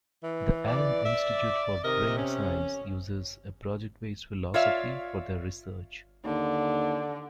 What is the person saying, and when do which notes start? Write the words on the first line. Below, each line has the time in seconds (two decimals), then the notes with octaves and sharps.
The Allen Institute for Brain Science uses a project-based philosophy for their research.
0.23 E3
0.66 D5
1.05 E5
1.84 C3 D#3 A#4 D#5
2.18 C#4
4.54 F4 C#5 D5 E5 F5
6.24 D#2 D3